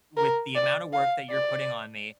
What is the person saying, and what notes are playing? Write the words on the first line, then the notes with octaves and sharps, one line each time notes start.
with the amount of work that you're putting on me,
A#4
D5
F5
D5